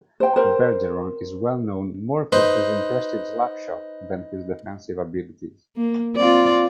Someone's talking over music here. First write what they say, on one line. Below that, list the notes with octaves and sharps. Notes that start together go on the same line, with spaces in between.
Bergeron is well known more for his impressive slapshot than his defensive abilities.
C5 G5
A#4 C5
D#4 B4 C5
A#3
C4 F4 D5